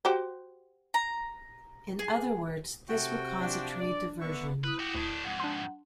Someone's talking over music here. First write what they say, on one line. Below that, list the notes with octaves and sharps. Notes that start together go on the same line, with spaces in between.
In other words, this would cause a trade diversion.
F#4 G4 C5
A#5
G#4
C3 A3 F#4 G5
F3 D4
D4 D5
D3 B3 B4 E5 C#6
E4 B4 D#6
F#4 G4
D2 A2 D4
F2 G#2 F#5
D4 C6